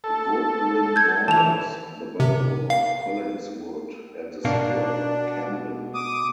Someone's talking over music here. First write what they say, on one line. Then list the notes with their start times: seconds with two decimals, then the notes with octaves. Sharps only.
Woodlynne borders the Borough of Collingswood and the City of Camden.
0.04 A4
0.96 G6 G#6
1.28 E3 A5 F7
2.20 C3
2.70 F5
4.45 B2 D4 A#4 F5
4.60 D4
5.94 D6 D#6